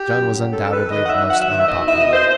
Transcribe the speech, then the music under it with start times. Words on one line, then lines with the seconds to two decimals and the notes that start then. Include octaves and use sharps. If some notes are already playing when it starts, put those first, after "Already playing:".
John was undoubtedly the most unpopular.
Already playing: G4
0.13 F#2
0.33 F#3
0.52 F#2 A4
0.66 A4
0.71 D#3 B4
0.91 D#3 D#5
1.05 F#5
1.10 F#3 E5
1.28 F#3 F#5
1.40 E5
1.50 D#3
1.60 E5
1.69 B2 D#5
1.87 B2 E5
2.00 D#5
2.08 B2
2.13 C5